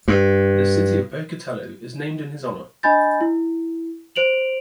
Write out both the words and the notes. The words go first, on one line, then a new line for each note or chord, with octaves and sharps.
The city of Pocatello is named in his honor.
G2
D4 D#5 G#5 B5 G6 A6
E4
C5 D7 F7 F#7